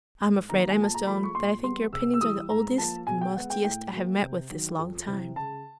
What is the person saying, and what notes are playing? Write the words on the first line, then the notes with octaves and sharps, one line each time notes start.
I'm afraid I must own, that I think your opinions are the oldest and mustiest I have met with this long time.'
G#2
D#3 F#3 A#3 A#5
G#5
A#2 A5
A#5
F3 A3 B5
C#6
A#2 C6
G3 B3 C6
C3 E6
E6
E3 G3 D#6
G#2 A#5
F3 A#3 A5
B2 G#5
G5
G#3 B3 F#5
G5
A2 G5
F#3 A#3
C3
D#3 F#3
F2
C3 E3
C#3 A5